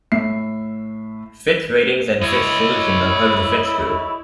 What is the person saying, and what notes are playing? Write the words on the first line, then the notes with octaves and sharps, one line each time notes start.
Fitch Ratings and Fitch Solutions are part of the Fitch Group.
A2 E5 C7
E4 C#5 D#5